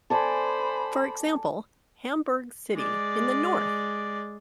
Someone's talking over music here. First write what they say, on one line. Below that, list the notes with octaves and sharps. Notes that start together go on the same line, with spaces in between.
For example, Hamburg - city in the North!
A4 C5 D5 G#5 B5
G#3 D5